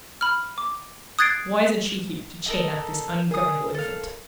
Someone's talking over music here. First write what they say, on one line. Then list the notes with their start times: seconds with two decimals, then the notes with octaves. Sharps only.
"Why isn't she here to chain up this ungovernable infant?"
0.21 B5 F6
0.58 D6
1.19 D#6 F#6 G#6 A6 C7 D7
2.46 D#4 A4 A#4
3.31 G#4 A#4 D#6
3.74 A4 F5